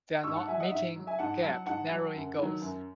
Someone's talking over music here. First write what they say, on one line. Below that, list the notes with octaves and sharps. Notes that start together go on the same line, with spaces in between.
They are not meeting gap narrowing goals.
G#2 C#6 E6
F#5 A5
F#3 E5 G#5
D#5 F#5
G#2 E5
F#3
E5 G#5
G#2 F#5 A5
F#3 F#5 A5
G#2 F#5 A5
F#3
F#2
D#3 F#3
F#2